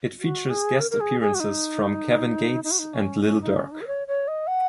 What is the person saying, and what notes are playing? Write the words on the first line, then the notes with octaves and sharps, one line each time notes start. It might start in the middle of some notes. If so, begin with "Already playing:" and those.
It features guest appearances from Kevin Gates and Lil Durk.
F#4
G#4
A#4
A#4
G#4
G#4
F#4
D#4
D#4
F#4
D#4
C#4
C#4
D#4
C#4
D#4
A#4
C#5
C#5
D#5
F#5